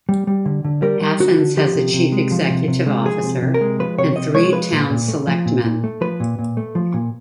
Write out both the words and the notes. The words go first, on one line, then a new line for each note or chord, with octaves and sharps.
Athens has a chief executive officer and three town selectmen.
G3
G3
D3
D3
G3 A#4
G3
D3 F#4
D3
F3 G4
C3
C3
G#3
F3
C3
C3
G#3
F3 G#4
C3
C3
A#4
G#3
F3 B4
C3 C#5
C3 D#5
G#3 C#5
F3 B4
A#2
A#2
A3
F3
A#2
A#2
A3
F3 B4
A#2
A#2
A3
F3
A#2